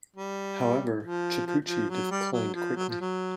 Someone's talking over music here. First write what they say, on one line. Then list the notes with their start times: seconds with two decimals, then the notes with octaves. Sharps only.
However, Chiappucci declined quickly.
0.16 G3
1.03 F3
1.47 F3
1.65 F3
1.90 F#3
2.11 G3
2.33 F#3
2.55 F3
2.76 F#3
2.89 F3
3.01 F#3